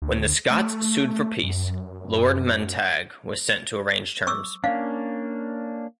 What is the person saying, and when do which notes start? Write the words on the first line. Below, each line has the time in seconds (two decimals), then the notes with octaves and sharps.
When the Scots sued for peace, Lord Montague was sent to arrange terms.
0.02 D2
0.50 A3
1.43 F#2
4.27 C#6 D6 E6
4.64 A#3 C#4 D4 F5